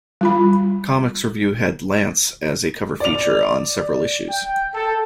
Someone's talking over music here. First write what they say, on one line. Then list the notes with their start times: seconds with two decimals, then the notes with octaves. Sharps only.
"Comics Revue" had "Lance" as a cover feature on several issues.
0.21 G3 F4 B5
3.00 D5 F7
4.29 G5
4.73 A4